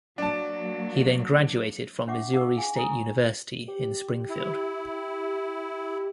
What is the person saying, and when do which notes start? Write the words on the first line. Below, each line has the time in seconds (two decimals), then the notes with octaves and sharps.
He then graduated from Missouri State University in Springfield.
0.18 F#3 A#3 D4 A5
2.07 D4 C#5 E5 F#5 C#6 D6
2.33 D#4 F5 F#5 D6 E6
2.56 G#4 F5 G#5
2.76 E4 A4 G#5 D#6
2.92 C#6
3.68 G4
4.29 E4